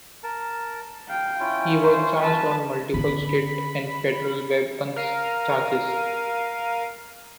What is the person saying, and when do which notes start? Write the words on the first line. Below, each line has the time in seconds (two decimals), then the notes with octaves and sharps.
He was charged on multiple state and federal weapons charges.
0.24 A#4 A5
1.09 F5 G5
1.40 C#4 E4 F4
1.82 C5
2.19 B4 A5
2.94 D3 D#3 B3 C#4 B5
4.96 A#4 F5 D#7